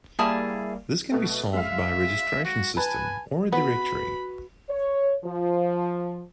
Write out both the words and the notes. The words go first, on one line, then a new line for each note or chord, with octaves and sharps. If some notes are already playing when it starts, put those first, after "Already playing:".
This can be solved by a registration system or a 'directory'.
G3 A#3 E4 G#4 A5
B2 A3
G#3 E5 F5
F#4
B4 G#5 A5
B3 F#4 B4 B5
C#5
F3